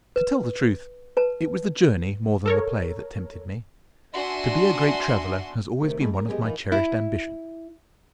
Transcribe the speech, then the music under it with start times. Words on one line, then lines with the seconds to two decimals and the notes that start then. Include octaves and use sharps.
To tell the truth, it was the journey more than the play that tempted me. To be a great traveller has always been one of my cherished ambitions.
0.16 B4
1.17 B4 A5
2.46 A4 A#4 C#5
4.13 D4 F#4 E5 G#5 C6
5.80 C3 D#3 A3 G4
6.00 G3 A3 D#4 E4 G#4
6.13 A#4
6.28 G#3 B3 E4 G4 G#4 D#5
6.42 E3 D#4 F4 A#4 B4
6.72 E4